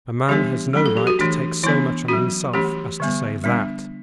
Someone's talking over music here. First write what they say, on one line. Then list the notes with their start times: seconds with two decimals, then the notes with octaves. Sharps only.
"A man has no right to take so much on himself as to say that."
0.28 E3 G3 B3 D4 G4
0.73 F#3 A3 C#4
0.86 A4
0.97 G4
1.07 F#4
1.19 E3 A3 D4
1.63 E3 B3 D4 E4
2.08 F#3 C#4 F#4
2.54 E3 A3 C#4 G4
3.00 D3 G3 B3
3.44 G3 B3 D4